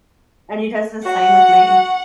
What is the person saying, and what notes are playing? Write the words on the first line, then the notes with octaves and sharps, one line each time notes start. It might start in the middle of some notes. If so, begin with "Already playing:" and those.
and he does the same with me.
F#4 F#5